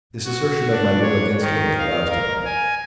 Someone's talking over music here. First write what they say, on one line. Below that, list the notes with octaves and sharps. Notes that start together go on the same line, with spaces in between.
This assertion of my will against his roused him.
F#4
D4
C#5
D#3
F5
A#4
G#5